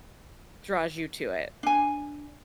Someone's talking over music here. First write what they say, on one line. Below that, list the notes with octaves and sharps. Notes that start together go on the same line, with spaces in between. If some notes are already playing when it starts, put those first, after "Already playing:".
draws you to it?
D4 G#5